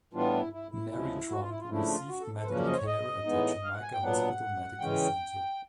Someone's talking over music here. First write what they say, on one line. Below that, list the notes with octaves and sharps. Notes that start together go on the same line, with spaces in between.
Mary Trump received medical care at the Jamaica Hospital Medical Center.
A2 E3 G3 B3 D4 F4
E4
E4
E4
D2 C#3 F3 G#3
F#4
F4
E4
F4
C#3 F3 A3 D4 E4
F4
F#4
A4
A4
C5
F#2 C#3 F3 A#3 C#4 B4
D5
D#5
C5
C#5
D#5
A2 E3 G#3 B3 D#4
F5
F#5
G#5
G5
A#2 F#3 B3 D4 F#5
C#3 E3 G#3 C#4 G5